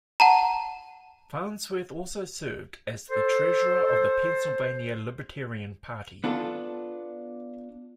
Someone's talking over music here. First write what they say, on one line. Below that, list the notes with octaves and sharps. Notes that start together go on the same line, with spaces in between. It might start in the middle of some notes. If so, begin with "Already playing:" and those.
Farnsworth also served as the treasurer of the Pennsylvania Libertarian Party.
F#5 A5 A#5
A4 C5
B3 D4 F4 A4